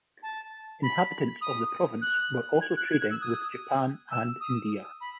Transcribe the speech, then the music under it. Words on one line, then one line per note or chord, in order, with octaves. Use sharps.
Inhabitants of the province were also trading with Japan and India.
A5
B5
D#6
F#6
G#6
F#6
G#6
F#6
E6
D#6
E6
D#6
B5